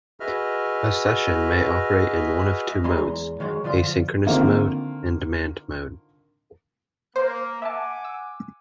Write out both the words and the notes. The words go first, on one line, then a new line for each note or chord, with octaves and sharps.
A session may operate in one of two modes: "asynchronous mode" and "demand mode".
F#4 G#4 B4 D#5 E5 F6
E2 E3 G#3 A#5 C6
D#3 F#3 G#3
D3 F3 F4 C6
D3 D#3 A#3 C4 F4
A#3 C5
E5 F#5 G#5 A5 D6
E6